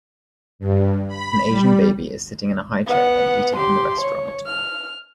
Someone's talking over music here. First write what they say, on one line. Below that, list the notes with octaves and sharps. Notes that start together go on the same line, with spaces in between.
An Asian baby is sitting in a highchair and eating in the restaurant.
G2
B5
G3
B3 F#5
G4 C6
C#5
F6